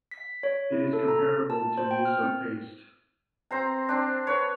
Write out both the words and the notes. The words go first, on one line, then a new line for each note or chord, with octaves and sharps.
It is comparable to miso paste.
B6
C#5
E4
A4
A#5
A5
C5
G5
F6
C4
C4 C5 A#5
C4 D4
B4 C#5